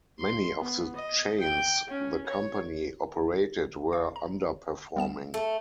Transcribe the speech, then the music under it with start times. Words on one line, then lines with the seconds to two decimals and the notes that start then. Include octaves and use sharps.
Many of the chains the company operated were underperforming.
0.19 C6
0.60 B3
0.96 D#5
1.40 G5
1.90 C#4
2.27 C#5
3.93 F5 C#6
4.16 A#5
4.96 G3 B3 E7
5.34 A3